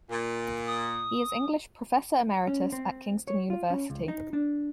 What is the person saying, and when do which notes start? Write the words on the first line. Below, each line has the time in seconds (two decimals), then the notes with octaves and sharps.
He is English Professor Emeritus at Kingston University.
0.10 A#2
0.67 D#6
2.47 C#4
2.72 C4
3.27 C#5
3.50 F4
3.70 C#4
3.90 C#2
4.08 D#4
4.33 D4